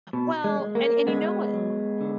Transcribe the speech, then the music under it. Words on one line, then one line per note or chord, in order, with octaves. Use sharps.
Well, and and you know what,
B2
G#3
G#3
A#3
D3 G#3 B3
F#3
D3